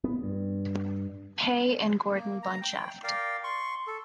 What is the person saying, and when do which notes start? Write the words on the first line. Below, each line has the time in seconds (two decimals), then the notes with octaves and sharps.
Pei and Gordon Bunshaft.
0.04 B3
0.23 G2
2.15 A#3
2.43 A#5
2.61 G5
3.04 A#4 D5 F5 G5
3.44 C6 C#6
3.87 A4